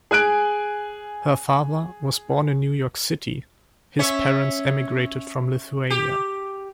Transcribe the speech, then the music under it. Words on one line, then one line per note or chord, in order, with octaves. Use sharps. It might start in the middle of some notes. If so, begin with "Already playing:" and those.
Her father was born in New York City; his parents emigrated from Lithuania.
G#4 G#5 F#6 D7
C#4 C#5 E5
G4